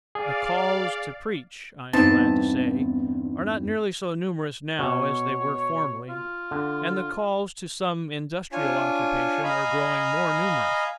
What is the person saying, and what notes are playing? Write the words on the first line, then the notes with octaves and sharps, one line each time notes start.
The "calls" to preach, I am glad to say, are not nearly so numerous now as they were formerly, and the calls to some industrial occupation are growing more numerous.
G#4 D5 F5
E2 G2 B3 C4 D#4 A5
B2 C#5
F4
D3
D4 F4 C#5 G#5
D#5 F5 G#5 A#5 B5